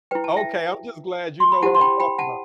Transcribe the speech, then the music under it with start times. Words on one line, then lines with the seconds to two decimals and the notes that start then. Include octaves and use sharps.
Okay, I'm just glad you know who I'm talking 'bout.
0.11 E4 B4 G5
0.24 A5
0.37 E5 G5
1.40 C6
1.52 B5
1.62 E4 G4 C5 F#5 A5
1.75 C6
1.81 G5 B5
2.00 G5 B5
2.19 F#5 A5